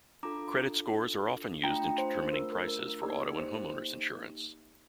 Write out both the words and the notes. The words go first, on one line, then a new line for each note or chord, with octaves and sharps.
Credit scores are often used in determining prices for auto and homeowner's insurance.
D4 F4 A4 A#5 D6
A3 D4 F4 G5 A#5
C5
A#4
A#4
A#4
A#3 D#4 G4 A#4 D5
C5